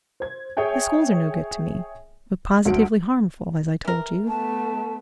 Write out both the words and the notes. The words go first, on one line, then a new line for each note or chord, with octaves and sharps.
The schools are no good to me, but positively harmful, as I told you.
C5 G#6
G#4 C#5 E5 G5 G#5
D2 F#3 D7
E3 A#4
A3 B3 A5